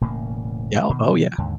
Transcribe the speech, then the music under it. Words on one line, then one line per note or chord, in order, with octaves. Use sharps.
Yeah, oh yeah.
E1 A2 C#3 A#3
B2 D#3
D#2 G#2 D3